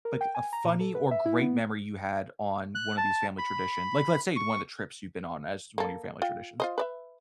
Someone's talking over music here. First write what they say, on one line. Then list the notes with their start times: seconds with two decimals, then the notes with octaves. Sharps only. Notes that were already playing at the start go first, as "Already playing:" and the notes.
like, a funny or great memory you had on one of these family tradition? Like, let's say, one of the trips you've been on as one of your family traditions.
0.05 A#4
0.21 G5
0.35 G#5
0.53 A#5
0.64 A#2
0.80 A4
0.95 B4
1.11 E5
1.26 E4
1.41 B3
2.75 F#6
2.97 A5
3.38 B5
4.36 C#6
5.78 A#3 A4
6.22 F4 G5
6.60 F4 C5 D#5
6.78 B4 D5 E5